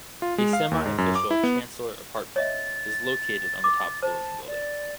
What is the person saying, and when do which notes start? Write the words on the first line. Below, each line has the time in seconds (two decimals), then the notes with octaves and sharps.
A semi official Chancellor apartment is located on the top floor of the building.
0.22 F4
0.38 G#3
0.53 F5
0.71 D#2
0.85 G#2
0.98 F#2
1.15 D6
1.31 E4
1.43 B3
2.36 C#5 D#5 E5 A6
3.64 D6
4.03 C5 A5
4.47 D5